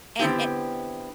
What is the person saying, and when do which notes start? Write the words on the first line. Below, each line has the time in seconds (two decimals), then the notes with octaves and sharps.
And and
0.19 D3 B3 C4 E4 G4